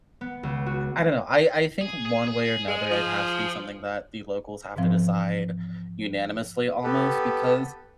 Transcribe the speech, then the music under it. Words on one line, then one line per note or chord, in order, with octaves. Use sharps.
I don't know. I I think one way or another it has to be something that the locals have to decide unanimously almost because
B3
C#2
F#4
G#4
G#4
G#4
G#3
F3
G#2 B2 E3 F3 C4
B3 G4 A4 B4